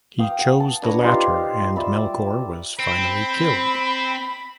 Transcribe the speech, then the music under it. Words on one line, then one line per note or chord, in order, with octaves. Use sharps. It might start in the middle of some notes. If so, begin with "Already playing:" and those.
He chose the latter, and Melkor was finally killed.
F5 G5 D#6
F#5
A5
D4 B4 C#5 A#5
D#4 F4 G4 C5
D5 E5 B5
C4 B5